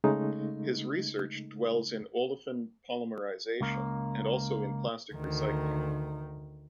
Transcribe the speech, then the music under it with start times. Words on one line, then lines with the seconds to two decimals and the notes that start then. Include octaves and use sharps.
His research dwells in olefin polymerization, and also in plastic recycling.
0.04 C#3 G#3 A3 D#4
3.61 C#2 A#3
5.14 D2 D#3